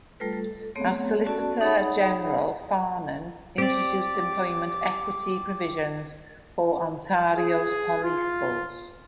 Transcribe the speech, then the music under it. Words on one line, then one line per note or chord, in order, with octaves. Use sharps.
As Solicitor-General, Farnan introduced employment equity provisions for Ontario's police force.
G3 A3 F4 A4 B4
A4
A3 B3 C4 G#4 C#5
B3 C#4 F#4 A4 D5 A5
D#4 G#4 C#5 F#5 B5 D#6
C4 G4 D5 D6
G#4
F4